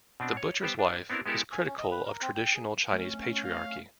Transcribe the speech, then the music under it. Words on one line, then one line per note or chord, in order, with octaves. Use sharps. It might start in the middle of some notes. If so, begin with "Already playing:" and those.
"The Butcher's Wife" is critical of traditional Chinese patriarchy.
B2 C4 D4
C#5
G3 B3 G4 C5
D4
B3 C4 D4 E4 A#4
G#3 B3 E4 G4 A4 A#4
G#5
C#4
D#5
B4
A#4
C4
G5
G#4
A3 C4 C#4
F5